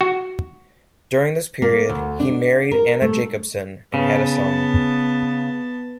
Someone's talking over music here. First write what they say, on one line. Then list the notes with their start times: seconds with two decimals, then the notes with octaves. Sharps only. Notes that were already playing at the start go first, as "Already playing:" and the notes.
During this period, he married Anna Jacobsen and had a son.
0.01 F#4
1.62 A#3
1.89 D2
2.20 D4
2.71 A#4
3.02 A3
3.94 C#3 B3 A5